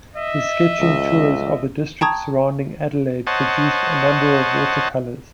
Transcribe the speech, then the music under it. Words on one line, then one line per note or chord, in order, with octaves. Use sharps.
His sketching tours of the districts surrounding Adelaide, produced a number of watercolours.
D#5 E5
C#2
G5 A5 A#5 C#6 D#6 G#6
C5 C#5 D#5 F#5 A5